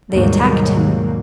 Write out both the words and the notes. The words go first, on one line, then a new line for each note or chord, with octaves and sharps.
They attacked him.
D#2 G#2 B2 F#3 G3 A#3